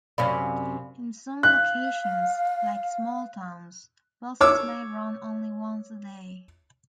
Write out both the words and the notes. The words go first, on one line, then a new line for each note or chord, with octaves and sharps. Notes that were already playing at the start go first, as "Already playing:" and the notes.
In some locations, like small towns, buses may run only once a day.
F#2 C3 C#4 D5 F5 B5
F5 F#6
C#5 D6 E6